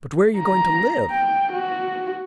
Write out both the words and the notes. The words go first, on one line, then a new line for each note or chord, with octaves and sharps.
"But where are you going to live?"
A#5
G5
F#4